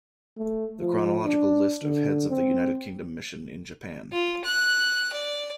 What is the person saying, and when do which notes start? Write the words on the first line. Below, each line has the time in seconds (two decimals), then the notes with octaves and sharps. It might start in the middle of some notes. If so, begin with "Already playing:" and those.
The chronological list of Heads of the United Kingdom Mission in Japan.
0.38 A3
0.79 F3
1.24 D4
1.82 D3
2.30 C4
4.12 F4
4.44 F#6
5.12 D5